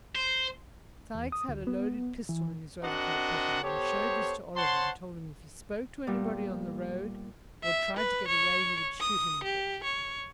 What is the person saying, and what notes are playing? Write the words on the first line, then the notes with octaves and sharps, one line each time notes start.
Sikes had a loaded pistol in his overcoat pocket, and he showed this to Oliver and told him if he spoke to anybody on the road or tried to get away he would shoot him with it.
C5
E2
D#6
D2
B3
E3
C4 D4 F#4 A#4 D#5 F#5
B3 G4 A4 C5 C#5
C5 C#5 F#5 A5 C6
A#2 G3 B3
E5
B4
C#5
D#6
G4
C#5